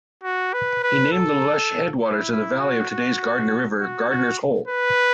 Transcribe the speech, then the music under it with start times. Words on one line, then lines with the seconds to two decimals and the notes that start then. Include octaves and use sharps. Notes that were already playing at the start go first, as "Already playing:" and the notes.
He named the lush headwaters valley of today's Gardner River "Gardner's Hole".
0.23 F#4
0.53 B4
0.83 B4
1.12 A4
2.02 E4
2.31 E4
2.60 F#4
2.91 F#4
3.79 F#4
4.09 F#4
4.68 B4